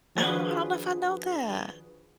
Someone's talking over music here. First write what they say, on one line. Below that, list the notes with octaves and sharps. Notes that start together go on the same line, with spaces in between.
Oh, I don't know if I know that.
D#3 F3 D4 F#4 G#4 B4